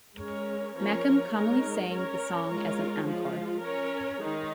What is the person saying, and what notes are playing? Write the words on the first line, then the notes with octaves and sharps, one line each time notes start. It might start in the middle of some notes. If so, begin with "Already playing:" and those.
Makem commonly sang the song as an encore.
G#3 C#4 A#4 C#5
F3 C#4 A#4 C#5
G#3 D#4 A#4 C#5
C#4 A#4 C#5
G#3 F4 A#4 C#5
F3 G#3 F4
C#4 A#4 C#5
D#3 G#3 D#4